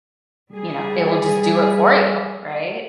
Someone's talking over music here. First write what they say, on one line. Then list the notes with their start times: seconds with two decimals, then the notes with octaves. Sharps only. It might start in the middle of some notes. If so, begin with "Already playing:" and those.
you know, it will just do it for you, right?
0.54 G3 G#4